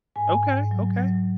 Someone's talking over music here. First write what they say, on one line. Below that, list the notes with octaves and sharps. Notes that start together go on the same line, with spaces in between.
Okay, okay.
G#2 G#5
G#2
F#3
F#3